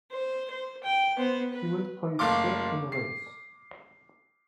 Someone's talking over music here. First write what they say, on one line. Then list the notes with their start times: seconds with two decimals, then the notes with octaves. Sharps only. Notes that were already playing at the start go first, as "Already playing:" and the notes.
He was placed fifth in the race.
0.11 C5
0.50 C5
0.84 G5
1.17 B3 C5
1.52 B4
2.19 F#1 A3 F5 C6 D6
2.92 C7